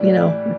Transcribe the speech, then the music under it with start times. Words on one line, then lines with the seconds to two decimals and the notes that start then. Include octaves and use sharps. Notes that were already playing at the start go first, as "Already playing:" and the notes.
you know,
Already playing: A2 E3 G3 D4